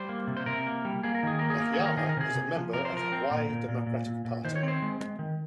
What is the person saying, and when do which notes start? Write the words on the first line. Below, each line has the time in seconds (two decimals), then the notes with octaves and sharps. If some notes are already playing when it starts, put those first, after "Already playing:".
Nakayama is a member of the Hawaii Democratic Party.
Already playing: G3 C5
0.09 A#3
0.27 C3
0.37 C5
0.46 C3 A#4
0.66 A#3
0.85 G3
1.03 A#3 G#4
1.15 A#4
1.23 D#3 G#4
1.39 A#3 A#4
1.50 G#4
1.60 A#3 A#4
1.74 G#4
1.79 D#3
1.86 A#4
1.97 D#3 G#4
2.09 A#4
2.17 C3 G#4
2.35 C3
2.55 F3
2.73 C3 A#4
2.85 C5
2.92 F3 A#4
3.12 C4
3.31 A#2
3.49 A#2
3.68 A#2
3.87 A#2
4.06 A#2
4.25 A#2
4.44 D#3 C5
4.55 C#5
4.63 C4
4.68 C5
4.82 G#3
5.01 G#3
5.19 D#3